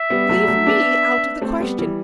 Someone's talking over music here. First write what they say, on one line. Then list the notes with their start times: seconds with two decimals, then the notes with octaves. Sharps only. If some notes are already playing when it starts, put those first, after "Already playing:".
Leave me out of the question.
Already playing: E5
0.10 G3 B3
0.29 F#3 A3
0.43 G3
0.48 F#3 A3
0.66 B3 D4
1.41 A3 C4
1.60 G3 B3
1.79 E3 G3